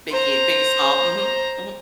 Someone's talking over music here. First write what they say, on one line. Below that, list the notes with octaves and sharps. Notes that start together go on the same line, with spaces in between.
Biggie, Biggie Smalls, mhm, mhm.
C5 A#5